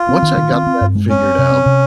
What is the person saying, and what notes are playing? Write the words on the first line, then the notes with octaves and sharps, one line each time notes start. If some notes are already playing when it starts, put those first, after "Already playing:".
once I got that figured out
Already playing: F4
C4
D#3
D#3
C4
C4
G2
G#3
C4 C#4
C4
C3
C4
C3